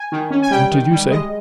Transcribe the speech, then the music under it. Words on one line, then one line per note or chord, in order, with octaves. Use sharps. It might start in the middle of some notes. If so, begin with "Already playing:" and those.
"What did you say?"
Already playing: G#5
D#3
C#4
G#5
G3 G5
D#3
G3
G#3 D#5